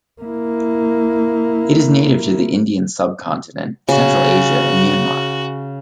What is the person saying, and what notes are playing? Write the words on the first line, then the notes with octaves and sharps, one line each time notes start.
It is native to the Indian subcontinent, Central Asia and Myanmar.
A#3 E4
C#3 F#4